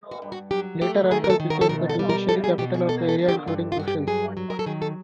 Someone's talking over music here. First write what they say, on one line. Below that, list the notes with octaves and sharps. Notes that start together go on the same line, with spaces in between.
Later, Uccle became the judiciary capital of the area including Brussels.
F#4
G2
F#4
F#3 G4
A3 G4
D#3 G#4
A#4
A4
D#3
A#4
A4
B2 A#4
A4
G3
A#4
B2 A4
G#4
B2 G4
G#4
A#3 A4
A4
D3
G4
G2 F4
F4
G2 F#4
G4
F#3 G#4
F#3
A#4
A4
D#3 G#4
A4